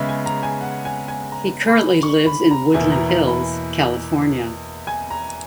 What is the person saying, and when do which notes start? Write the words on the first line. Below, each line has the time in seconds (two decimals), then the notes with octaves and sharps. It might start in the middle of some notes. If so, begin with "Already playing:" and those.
He currently lives in Woodland Hills, California.
Already playing: C#3 G#3 B3 E5
0.09 G#5
0.26 A#5
0.43 G#5
0.61 F#5
0.85 G#5
1.08 G#5
1.32 A#5
1.68 B5
2.03 C#6
2.26 B5
2.51 A#5
2.74 E2 B2 A#3 E4 G#5
2.92 A#5
3.09 A#5
3.27 B5
4.87 G#5
5.10 A#5